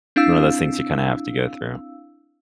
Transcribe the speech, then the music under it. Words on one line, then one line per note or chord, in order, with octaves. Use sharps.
One of those things you kinda have to go through.
C4 D4 E4 F5 E6